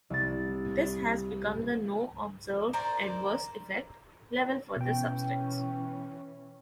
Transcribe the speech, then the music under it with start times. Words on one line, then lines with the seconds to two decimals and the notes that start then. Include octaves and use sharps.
This has become the no-observed-adverse-effect level for this substance.
0.10 C2 A6
2.73 A#4 C5 D5 A#5
4.76 B2 E3 C#4 G5